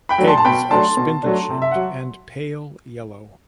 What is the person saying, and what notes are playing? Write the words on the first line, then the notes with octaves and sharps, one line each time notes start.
Eggs are spindle shaped and pale yellow.
G5 B5
F#3 A3 D4
A5 C6
A5
B2 G5 B5
F#3 A3 D4 A5 C6
B2
F#3 A3 D4
C3
E5
F#3 F#5